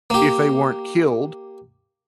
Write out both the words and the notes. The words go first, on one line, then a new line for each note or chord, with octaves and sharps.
if they weren't killed,
A#3 G4